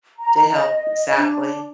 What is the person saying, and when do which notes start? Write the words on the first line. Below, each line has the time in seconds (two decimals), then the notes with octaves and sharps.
to help Exactly.
0.17 A#5
0.53 D#5
1.15 D4